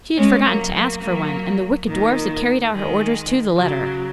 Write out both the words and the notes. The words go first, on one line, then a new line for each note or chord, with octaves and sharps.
She had forgotten to ask for one, and the wicked dwarfs had carried out her orders to the letter!
G#3 C#4
F#3 A#3
F#3 A#3
F#3 A#3
A#2 D#3
D#3 G#3
C#3 F#3